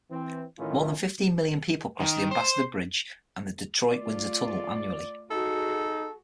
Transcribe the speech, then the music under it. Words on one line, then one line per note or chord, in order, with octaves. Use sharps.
More than fifteen million people cross the Ambassador Bridge and the Detroit-Windsor Tunnel annually.
E3 C4
A2 D#3 E3 C#4 E4 F4
D#3
C5
A3 F4 D5
D#4 F#4 G#4 A4